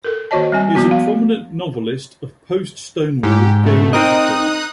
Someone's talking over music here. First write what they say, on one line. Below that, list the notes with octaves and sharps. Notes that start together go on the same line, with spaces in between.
He is a prominent novelist of post-Stonewall gay literature.
A4 A#4
D#3 A#3 F#4 C#5 D#5 A5
G3 C4 G#5
F3 A#3 B3 F#4
F5
G#2 G4
B2 A3
C4 D#4 A#4 D#5 D#6 F#6